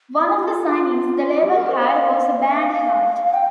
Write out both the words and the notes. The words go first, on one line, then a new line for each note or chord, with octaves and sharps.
One of the signings the label had was the band Heart.
E4
G4
F4
F4
F4
G4
A#4
C5
F5
E5
F5
G5